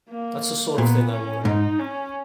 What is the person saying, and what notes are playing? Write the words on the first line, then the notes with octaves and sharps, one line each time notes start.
That's the sort of thing I wanted.
A#3
A#2 B3
C#4
G#2 D#4
C#4